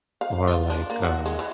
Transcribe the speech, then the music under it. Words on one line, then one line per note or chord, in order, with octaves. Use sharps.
or, like, uh,
F5
F4
D4
A#3
F#4
G#3
E3